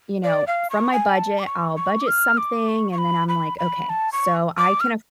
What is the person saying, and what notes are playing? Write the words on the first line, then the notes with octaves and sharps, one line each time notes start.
you know, from my budget, I'll budget something, and then I'm like, "Okay, so I can aff"
D5
F5
C#6
G#5
A5
D6
C#6
C#6
D6
F6
D6
C#6
C#6
B5
B5
B5
A5
C#6
D6
F6